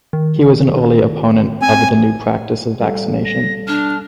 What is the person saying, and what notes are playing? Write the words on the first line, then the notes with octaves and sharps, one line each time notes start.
He was an early opponent of the new practice of vaccination.
D#3
C4 G#5
G3 A4 F5
A#6
D4 F6